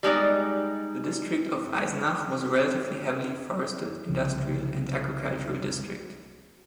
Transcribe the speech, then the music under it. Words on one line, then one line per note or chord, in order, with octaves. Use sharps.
The district of Eisenach was a relatively heavily forested, industrial and agricultural district.
G3 G#3 D#4 D5
C2 C#3 F3